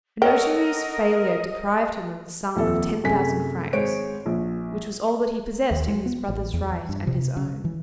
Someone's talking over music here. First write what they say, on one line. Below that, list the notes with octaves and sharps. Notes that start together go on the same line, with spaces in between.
A notary's failure deprived him of the sum of ten thousand francs, which was all that he possessed in his brother's right and his own.
A4 A#4 C#5 D#5 F#5 G5
D#1 F2 A4 E5
F#2 C3 A3 G#4 G#5 B6
G#1 G#3 C5 C#5 D7
A#1
D#2
G#3
B3
A1
E2
G2
C3
C#3
E3